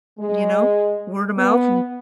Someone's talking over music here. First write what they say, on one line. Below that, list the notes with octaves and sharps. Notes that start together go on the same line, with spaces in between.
you know, word-of-mouth.
G#3
B3